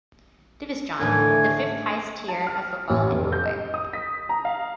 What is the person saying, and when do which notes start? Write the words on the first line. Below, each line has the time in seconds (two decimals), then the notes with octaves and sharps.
Divisjon, the fifth-highest tier of football in Norway.
1.00 D#2 A2 D3 E3 A3 G#5
2.28 A5
2.47 F6
2.90 A1
3.12 F1
3.32 G6
3.45 D#5
3.74 D#6
3.93 B6
4.29 A#5
4.45 F5